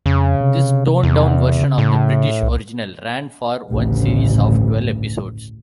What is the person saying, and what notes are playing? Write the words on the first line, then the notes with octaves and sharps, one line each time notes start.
This toned-down version of the British original ran for one series of twelve episodes.
F2 C#3
C3
E2
C#3
A2
C2
A1 D2 G2 C#3